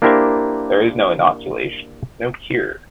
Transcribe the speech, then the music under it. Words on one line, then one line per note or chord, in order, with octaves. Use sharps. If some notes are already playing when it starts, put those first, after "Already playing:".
There is no inoculation, no cure.
A#3 D4 E4 G4 A#4 C5